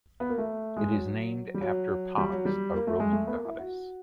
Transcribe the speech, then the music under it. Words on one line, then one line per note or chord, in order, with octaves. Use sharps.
It is named after Pax, a Roman goddess.
B3
A#3
A3
G#3
F#3
G3
F#3
G3
F#3
G3
A#3
A3
G#3
A3
B3
A#3
E4
F#4